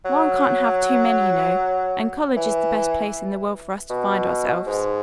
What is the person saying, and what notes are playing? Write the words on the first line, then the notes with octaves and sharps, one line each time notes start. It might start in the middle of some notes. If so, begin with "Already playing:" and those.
One can't have too many, you know, and college is the best place in the world for us to find ourselves.
F#3
E3
B2
G#2